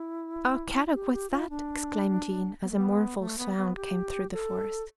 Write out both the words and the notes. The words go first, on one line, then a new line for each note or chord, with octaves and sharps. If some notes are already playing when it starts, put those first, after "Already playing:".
"Oh, Kadok, what's that?" exclaimed Jean, as a mournful sound came through the forest.
Already playing: E4
G4
G4
F4
D4
B3
A3
B3
A3
B3
B3
G4
A4